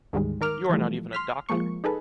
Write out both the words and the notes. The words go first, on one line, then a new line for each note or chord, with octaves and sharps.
You are not even a doctor!
D2 G#2 D#3 G3 G#3
D#3 A#4 D6 F6
E3 F3 G3 A3
C6 F6 B6
F3 G#3 A#3 C#6
D#4 G#4 A4 B4